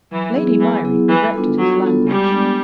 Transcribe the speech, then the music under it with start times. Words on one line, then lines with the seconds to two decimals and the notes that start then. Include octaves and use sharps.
Lady Myrie corrected his language.
0.11 E3 F#3
0.35 B3 E4 G#4
0.60 E3 F#3
0.85 B3 E4 G#4
1.09 E3 G3
1.34 B3 D4 F4 A4
1.58 F#3 G3
1.82 B3 D4 F4 A4
2.07 G3 G#3
2.31 B3 D4